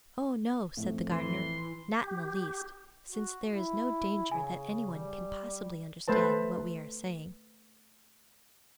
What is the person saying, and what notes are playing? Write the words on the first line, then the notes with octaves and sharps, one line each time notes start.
"Oh, no," said the gardener; "not in the least, since there is no danger that anyone can possibly understand what we are saying."
F2 A2
E3 C6
G4
F#4
E4
C#3 G#5
G3
A3 B4 C5 A5